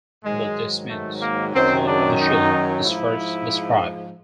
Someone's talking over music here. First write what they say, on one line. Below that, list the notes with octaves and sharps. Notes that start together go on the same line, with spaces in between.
What this means: The colour of the shield is first described.
G#2 D#3 F#3 G#3
A3
A#3
F#2 D#3 F#3 C4
D4
D#4
G#2 F3 E4